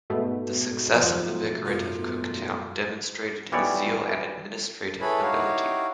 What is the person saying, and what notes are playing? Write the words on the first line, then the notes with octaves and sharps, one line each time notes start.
The success of the Vicariate of Cooktown demonstrated his zeal and administrative ability.
G#2 B2 A3
F3 F#3
F#2 F4
B1 E3 G3 B3 C#5 D5
E4 G#4 A4 B4 C#5 B5
D#4 E4 F#4 G4 C#5 F5